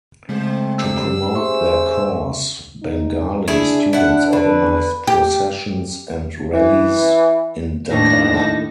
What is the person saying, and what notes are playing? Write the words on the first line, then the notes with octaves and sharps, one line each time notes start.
To promote their cause, Bengali students organised processions and rallies in Dhaka.
C#3 E3 G#3 A3 C4 C5
D4 G4 E6
C#4 G#4 C5 E5 C6 C#6
D#4
D4 E4 G#4
E4 F#5
D3 B4
G4
E3
D#2 A2 D#3 D4 D#4 C#5 A#6
D#4 A4